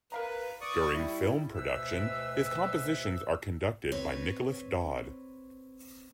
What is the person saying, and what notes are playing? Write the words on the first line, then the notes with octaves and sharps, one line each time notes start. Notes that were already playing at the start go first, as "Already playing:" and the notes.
During film production, his compositions are conducted by Nicholas Dodd.
A#4 B4 F5 A#5
D5 C#6 D#6
G3 E4
D2 B2 B4 C5 E5 E6
C4 B4 C#5